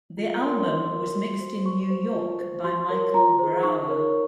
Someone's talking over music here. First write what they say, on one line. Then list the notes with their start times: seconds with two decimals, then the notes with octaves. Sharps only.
The album was mixed in New York by Michael Brauer.
0.17 F4
0.41 A#4 C#5 C6
0.67 F#4 C6
0.91 A#4 C#5
1.16 F#4
1.40 C5
1.65 F#4 C#6
1.90 C5
2.15 F4
2.40 C5
2.64 F#4 C6
2.90 A#4 C#5
3.14 F4 A#5
3.39 G#4 C5
3.63 D#4 C#6
3.88 A#4 C#5